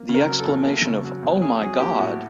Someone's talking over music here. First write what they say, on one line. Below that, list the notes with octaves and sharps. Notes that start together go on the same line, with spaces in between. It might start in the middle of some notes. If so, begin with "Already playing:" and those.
The exclamation of Oh my God!
Already playing: A#3
C#3
A#4
F#3
A4
E2
A#3
C#3
F#3
E2
C#4 G#4
F#3 G#4
A#3 G4
A2 F#4